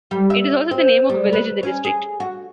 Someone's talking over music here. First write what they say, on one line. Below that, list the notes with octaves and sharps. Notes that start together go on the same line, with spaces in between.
It is also the name of a village in the district.
G3
E5
C4
G3
B4
C#4
G#4
F#4